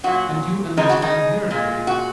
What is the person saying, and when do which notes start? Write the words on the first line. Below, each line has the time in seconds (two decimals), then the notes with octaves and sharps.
"And you understand heraldry?"
0.04 A#2 F#3 F#4
0.77 C#3 G#3 D#4
0.89 F#4
1.02 D#4
1.51 A#2 G#3
1.87 F#4